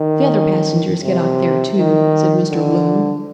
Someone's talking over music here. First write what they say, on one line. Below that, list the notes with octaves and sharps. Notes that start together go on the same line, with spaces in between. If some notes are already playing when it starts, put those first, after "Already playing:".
"The other passengers get off there, too," said Mr. Bloom.
Already playing: D#3
C3
D#3
D3